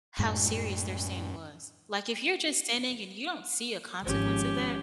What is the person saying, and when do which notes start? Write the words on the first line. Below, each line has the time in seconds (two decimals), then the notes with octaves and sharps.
how serious their sin was, like, if you're just sinning and you don't see a consequence of that,
0.19 F#2 A2 G#3
4.05 G#1 F3 C#4 G4